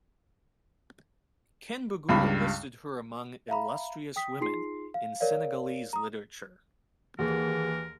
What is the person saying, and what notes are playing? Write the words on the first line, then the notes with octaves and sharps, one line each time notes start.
Ken Bugul listed her among "illustrious women" in Senegalese literature.
C#2 G2 B5
E5 F5 A#5 B5
G5 D#6 B6
D#4 F4 G#4 C6 C7
F5
A#4 C#5 D5 F5
A#5 D#6
D#2 E3 G#4 A#4 F#5